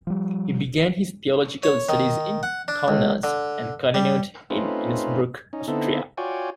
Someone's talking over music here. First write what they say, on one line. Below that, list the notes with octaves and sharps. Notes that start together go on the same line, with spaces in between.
He began his theological studies in Kaunas and continued in Innsbruck, Austria.
F3 G3
C#5
D#3
F#5
D4
C#2
D3
G3
A3 C4 C#4 D#4 F4 B4
C#4 D#4
D3 B3 C4 D#4 E4 A4
F4 F#4 C#5 D5 G5 G#5